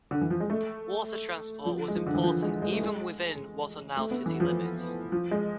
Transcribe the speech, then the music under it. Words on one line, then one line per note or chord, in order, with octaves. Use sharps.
Water transport was important even within what are now city limits.
D3
E3
F3
G#3
A3
F3
G#3
F3
D3
E3
F3
G#3
G#3
A3
G#3
A3
B3
E3
F3
F3
G#3